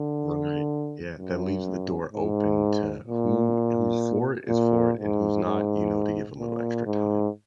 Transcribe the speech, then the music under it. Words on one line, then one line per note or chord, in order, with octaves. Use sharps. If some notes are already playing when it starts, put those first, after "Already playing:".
Right, yeah, that leaves the door open to who who's for it, is for it, and who's not, you know, to give a little extra time.
Already playing: D3
F#2
G#2
A#2
A#2
G#2
G#2
A#2
G#2